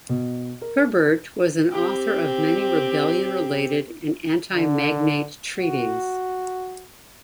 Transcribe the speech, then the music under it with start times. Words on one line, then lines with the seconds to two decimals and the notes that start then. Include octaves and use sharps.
Herburt was an author of many rebellion-related and anti-magnate treaties.
0.09 B2
0.62 A#4
1.72 C4 G4
4.54 D3
5.58 F#4